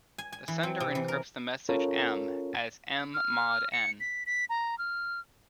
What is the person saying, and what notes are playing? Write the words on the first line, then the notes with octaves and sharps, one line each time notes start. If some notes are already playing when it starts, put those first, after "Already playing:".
The sender encrypts the message "m" as "m" mod "N".
G#5
G#5
E3
C4
C3
E3
A#4
C#4 F4 A4 A#4 C#5
F6
C#7
B6
B6
A#5
F6